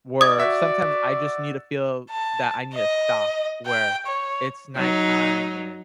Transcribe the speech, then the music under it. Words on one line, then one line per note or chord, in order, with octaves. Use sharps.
where sometimes I just need to feel that I need a stop, where it's nighttime and
D5 D#6 G#6
F#4 E5
A5
D#5
G5
C#5
F#3 D#4